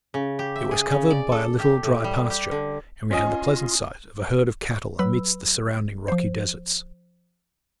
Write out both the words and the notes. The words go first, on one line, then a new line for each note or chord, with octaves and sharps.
It was covered by a little dry pasture, and we had the pleasant sight of a herd of cattle amidst the surrounding rocky deserts.
C#3
G4
E5
G#4
C#3
D5
A4
G4
A2
G3
G4
D3
C#4 F4 D#5 G#5
F#3 B4 B5 E6
F3 C5